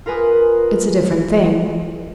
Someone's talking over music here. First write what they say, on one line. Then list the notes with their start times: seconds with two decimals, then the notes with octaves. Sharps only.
It's a different thing.
0.06 F4 A#4 B4 G#5 D#6